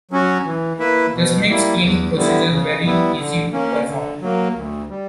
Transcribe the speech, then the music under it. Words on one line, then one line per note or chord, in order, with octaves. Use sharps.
This makes cleaning procedures very easy to perform.
F#3 C#4 F#4
E3
A#3 E4 B4 E5
B2
G3 A#3 E4
E2
D3 G3 B3 E4
C#3
G3 B3 E4
D3
A#3 C#4
D3
F#3 A#3
D2
G3